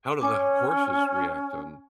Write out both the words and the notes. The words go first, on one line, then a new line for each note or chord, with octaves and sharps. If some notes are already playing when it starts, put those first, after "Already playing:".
how do the h horses react, um
C#4 C#5 G#5 D6